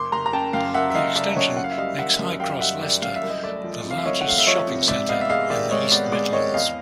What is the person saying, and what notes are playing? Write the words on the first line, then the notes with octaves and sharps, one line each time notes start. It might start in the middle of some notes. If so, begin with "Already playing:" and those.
The extension makes Highcross Leicester the largest shopping centre in the East Midlands.
Already playing: F#1 C6 D6
F#1 A#5 C6
A#5
C#3 G5 A5
F#2 F5 G5
F#1 E5 F#5
E5
F#1 D#5 F5
C#3 D5 E5
F#2 C#5 D#5
F#1 F#5
F5
E5
G3 D#5 F5
D#3 E5 F#5
F#2
F#1 F5 G5
G3 E5 F#5
D#3 D5 E5
F#2 F5
E5
C2
D#5
A3 D5 E5
F3
C3
F5
E5
C2 C#5 D#5
F#5
A3 F5
E5
F3 C#5 D#5
C3
G#2 D5 E5
B3 D#5 F5
E5
G#3 D#5 F5
D#3 D5 E5
G#2 C#5 D#5
B3 D5
G#3 D5
D#3 C#5 D#5
E2 D#5 F5